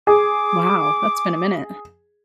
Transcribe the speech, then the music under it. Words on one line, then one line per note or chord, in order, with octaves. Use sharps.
Wow, that's been a minute.
G#4 D6